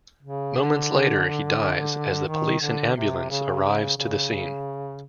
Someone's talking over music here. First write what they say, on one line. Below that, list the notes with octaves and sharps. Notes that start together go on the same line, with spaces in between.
Moments later he dies as the police and ambulance arrives to the scene.
C#3
D3
D#3
D3
C3
C#3
C#3
C#3